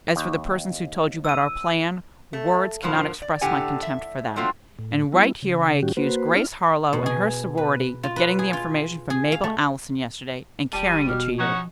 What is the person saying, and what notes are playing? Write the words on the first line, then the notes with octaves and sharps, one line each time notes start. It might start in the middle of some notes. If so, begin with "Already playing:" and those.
As for the persons who told you about our plan, words cannot express my contempt for them, and right here I accuse Grace Harlowe and her sorority of getting the information from Mabel Allison yesterday and carrying it to you.
D#2
E6 D#7
A3
G2 B2 F3 A#3
D5
A2 D3 G4 F#5 G#5
E5
F#3 G#3 A3 C4 F4
A2
G3 B3 E4
C#3
A2 D#3 G3 C#4 F#4 G4
A#3 F#4 B4 C5
C#4 D4 E4 F6
B2
G#4
B4
F4
B4
G#4
F4
G#4
F5
A3
E1 G3 A5 D#7
B2 F6
F3 C#4 D#4 F#4 C#6